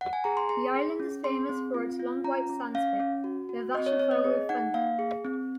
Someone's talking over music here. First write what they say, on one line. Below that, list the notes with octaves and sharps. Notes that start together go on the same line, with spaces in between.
The island is famous for its long white sand spit- the "Vashafaru-thundi".
F#5
G#5
G#4 A#5
C6
G#4 C6
G#4
C#4
G#4 C6
C4
F4
F4
C#4 A#5
C#4
C#4 F5
C#4
F#4
F#4
C4 D#5
C#5
C4 C#5
D#5
G#4
D#4 F#5
A#3 F5
G#4
C4